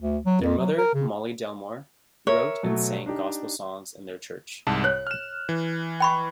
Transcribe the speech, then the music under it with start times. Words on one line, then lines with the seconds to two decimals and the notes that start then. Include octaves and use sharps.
Their mother, Mollie Delmore, wrote and sang gospel songs for their church.
0.01 D2
0.26 F#3
0.41 F2
0.58 F#3
0.78 A#4
0.94 C#3
2.27 A#4 C#5 E5
2.63 B2 F#3 A3
3.06 D4 D#4 G4
4.67 C2 G#2 A5
4.84 C#5 F#6
5.07 F6 E7
5.49 E3
6.00 G5 B5 C#6